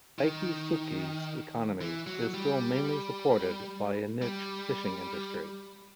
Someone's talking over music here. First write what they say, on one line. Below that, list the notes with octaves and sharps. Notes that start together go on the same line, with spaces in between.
Ikitsuki's economy is still mainly supported by a niche fishing industry.
D#3
E3
F#3
G3
G3